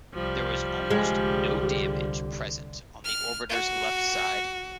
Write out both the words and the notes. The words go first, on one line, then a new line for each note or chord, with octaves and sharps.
There was almost no damage present on the orbiter's left side.
C2 F3 G3
C2 D3 G#3 G4
F6
F#4